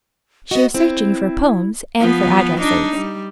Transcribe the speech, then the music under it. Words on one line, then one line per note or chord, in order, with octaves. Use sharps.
She was searching for poems and for addresses.
B3 F#4 D#5
C4 E4
F3 B3
D4 D#4
G3